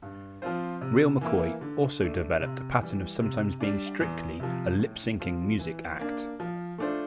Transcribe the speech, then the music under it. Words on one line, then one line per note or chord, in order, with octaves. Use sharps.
Real McCoy also developed a pattern of sometimes being strictly a lip-syncing music act.
G2
F3 C4 F4 C5
C3
E3 A#3 E4
D3
A3 D4
C3
E3 G3
C3
G3 D4
E2
C3 F3
A2
F3 C4 F4
E3
A#3 D4
F3
A3 D4 F4 C5